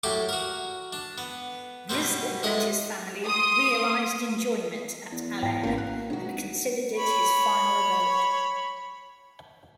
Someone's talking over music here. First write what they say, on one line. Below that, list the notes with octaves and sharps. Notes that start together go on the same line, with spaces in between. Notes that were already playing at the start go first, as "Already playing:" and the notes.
Brisbane and his family realized enjoyment at Allaire and considered it his final abode.
A2 F#3 G4 D6
F#4 A#4
D4
B3
B2 G3 B3 C4
A2 G#3 D#5 D#6
C6 D#6
E2
G#2 G5 A#5
G#1 A#3 B3 C#4 F#4 A#5
A#4 F#6
G#1 D4 D#4 F#4
C#5 B5